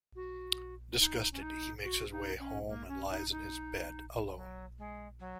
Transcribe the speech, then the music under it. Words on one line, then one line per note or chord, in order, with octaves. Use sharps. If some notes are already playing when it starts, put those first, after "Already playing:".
Disgusted, he makes his way home and lies in his bed, alone.
F#4
D#4
C#4
D#4
F#4
D#4
C#4
A#3
C#4
D#4
D#4
F#3
G#3
F#3